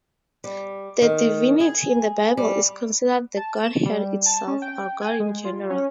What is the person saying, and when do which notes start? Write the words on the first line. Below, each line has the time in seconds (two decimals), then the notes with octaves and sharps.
The divinity in the Bible is considered the Godhead itself, or God in general.
0.44 G3
1.02 D#3
1.60 G#4
2.37 G3
3.37 A5
3.56 E7
3.85 G3
4.26 A5
4.47 C#4
4.62 G5
5.01 G#5
5.20 G#3
5.45 F4
5.70 C#4